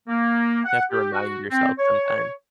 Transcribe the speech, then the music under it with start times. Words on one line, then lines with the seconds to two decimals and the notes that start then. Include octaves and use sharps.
You have to remind yourself sometime.
0.08 A#3
0.65 F#5
0.91 G4
1.12 F#4
1.51 C4
1.79 C#5